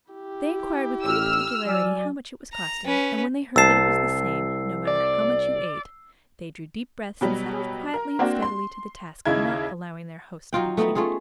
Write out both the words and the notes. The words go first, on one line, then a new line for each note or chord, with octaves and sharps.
They inquired with great particularity how much it was costing, and when they heard that it was the same, no matter how much you ate, they drew deep breaths and settled quietly and steadily to the task of not allowing their host to be cheated.
E4 G4
A1 E6 F6
F#3 D5 G#5
A#5
C#4 B4
C2 A5 E6 C7
D5
B2 F#3 G3
A#4
A#3 C4 D4 F#4
C6
D#2 C#3 D#4 E4 E5 G#6
F#3 D#4 F4 G5
A3 B3 D#4
A3 C#4 F4 G#4